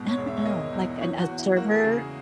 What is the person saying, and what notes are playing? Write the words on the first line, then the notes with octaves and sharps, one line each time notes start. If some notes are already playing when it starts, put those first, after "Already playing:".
I don't know, like an observer?
Already playing: G#2 B2
C#5
E1
E5
C#5
A#3 D#5
E2
E3 C#5
F#4
E2
E4
A#3 F#4
A#4
G#4
C#3